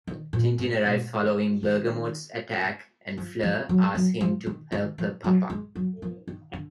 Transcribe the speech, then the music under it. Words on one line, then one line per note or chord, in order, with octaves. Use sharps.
Tintin arrives following Bergamotte's attack, and Fleur asks him to help her 'papa'.
D#3
A#2
G#2
B2
D3
D#3
F3
F3
F#3
F#3
F3
D#3
D#3
F3
F#3
G#3
F#3
F3
D#3
D3